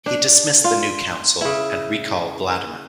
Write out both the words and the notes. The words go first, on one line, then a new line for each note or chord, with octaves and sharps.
He dismissed the new council and recalled Latimer.
D4
F4
C#3 E4